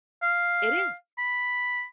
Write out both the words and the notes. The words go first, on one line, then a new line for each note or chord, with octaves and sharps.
it is.
F5
B5